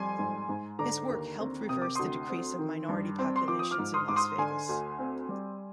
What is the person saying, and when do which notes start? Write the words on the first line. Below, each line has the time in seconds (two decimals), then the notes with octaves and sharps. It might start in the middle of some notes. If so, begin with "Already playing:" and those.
His work helped reverse the decrease of minority populations in Las Vegas.
Already playing: F2 G3 G#5 C6
0.19 G#2
0.49 G#2
0.79 D3 A#5 D6
1.09 D#2
1.39 C4
1.69 C3 D#6
1.82 D6
1.95 D2 C6 D#6
2.29 C4
2.59 D#3
2.89 G2
3.19 C4
3.36 C6
3.48 F3 D6
3.59 D#6
3.71 D6 F6
3.78 G#2
3.94 C6 D#6
4.08 G#2 D6
4.16 C6 D#6
4.38 D3 G#5 C6
4.69 D2
4.99 C4
5.29 G3